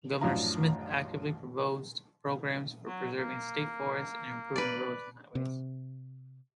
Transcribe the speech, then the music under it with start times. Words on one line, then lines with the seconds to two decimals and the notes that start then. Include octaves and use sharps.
Governor Smith actively proposed programs for preserving state forests and improving roads and highways.
0.21 A1 F#2 F3 D4 F5 A#5
2.88 F#3
3.19 A#3
4.56 B4 D5
5.35 C3